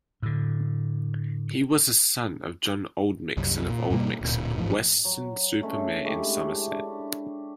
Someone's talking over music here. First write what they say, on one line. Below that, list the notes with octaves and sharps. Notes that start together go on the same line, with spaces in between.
He was a son of John Oldmixon of Oldmixon, Weston-super-Mare in Somerset.
A2 D3
C2 F#2
A#2
G2 B2 G3 A#3
D1 A#2
A1 G#2 F3
F#3
G#3 A3 C#4 D4
G#3 A3 E4 G4
D4